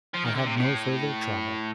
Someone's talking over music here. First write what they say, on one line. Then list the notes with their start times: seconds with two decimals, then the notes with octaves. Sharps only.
I had no further trouble.
0.14 F3
0.25 D#3
0.35 D3
0.46 C3
0.57 A2